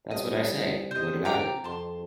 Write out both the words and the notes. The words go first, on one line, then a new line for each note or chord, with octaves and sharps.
That's what I say: What about it?
C2 D#5
C3 C5 D#5
G5 A#5 D6
F2 A5 C6